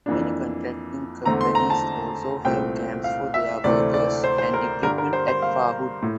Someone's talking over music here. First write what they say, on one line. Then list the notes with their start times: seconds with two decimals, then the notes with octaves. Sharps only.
Many contracting companies also have camps for their workers and equipment at Fahud.
0.06 F2 E3 A#3 D4
1.25 E2 D3 A3 C4 A#5
1.41 C6
1.55 A#5
1.70 A5
2.45 C2 A#2 A3 C4 G5
3.04 F5
3.34 E5
3.64 D2 C3 E3 A3 C4 D5
3.94 D5
4.24 C5
4.38 C5
4.54 A#4
4.83 G2 D3 G3 D4 A#4
4.98 A#4
5.13 C5
5.28 C5
5.42 F5
6.02 A2